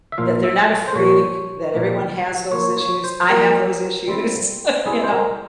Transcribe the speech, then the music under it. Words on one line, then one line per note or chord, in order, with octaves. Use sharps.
that they're not a freak, that everyone has those issues, I have those issues, you know?
E5
A#2 F3 A#3 F4 F5
E5
C5
A#2 F3 A#3 C#5
A#2 F3 A#3
F3 A#3 F4 C#5
C#5
C5
F3 A#3 F4 A#4
G3 C4 E4
G3 C4 E4 G#4
C5
A#4